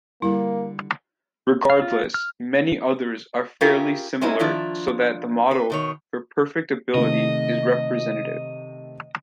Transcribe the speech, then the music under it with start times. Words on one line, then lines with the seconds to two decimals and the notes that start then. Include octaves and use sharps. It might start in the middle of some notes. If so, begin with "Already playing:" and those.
Regardless, many others are fairly similar so that the model for perfect ability is representative.
0.22 D3 G3 A#3 E4
1.70 F5
1.82 F4
2.14 F6
3.61 C#4 E4 F4 G4 G#4 A#4
4.21 G#3 C4 C#4 D#4 E4
4.39 D#3 F3 D4 E4 F4
5.51 B4
5.70 B2 D#3 C#5
6.94 C3 D#3 A3 D#5